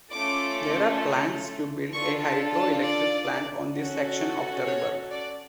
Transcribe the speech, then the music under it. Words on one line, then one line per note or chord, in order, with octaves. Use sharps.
There are plans to build a hydroelectric plant on this section of the river.
A3 C#4 F4 A4 D6
D4 F4 A4 C#6
A5
A5
D5
C#4 F#4 A4
C#5
D5